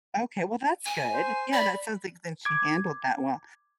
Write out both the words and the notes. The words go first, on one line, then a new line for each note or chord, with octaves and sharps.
Okay, well, that's good. Yeah, that sounds like that she handled that well,
G#5
C5
D5 B5
D6 G#6